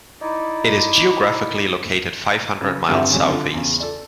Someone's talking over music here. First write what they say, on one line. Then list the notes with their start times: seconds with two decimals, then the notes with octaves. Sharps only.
It is geographically located five hundred miles south-east.
0.22 D#4 E4 D5
2.61 C#3
2.89 G2 D3 C4 G4 E5 F#5
3.10 D3 F#3 G#3 C4 C#4
3.29 D3 F4
3.54 E2 C#3
3.80 A4 D5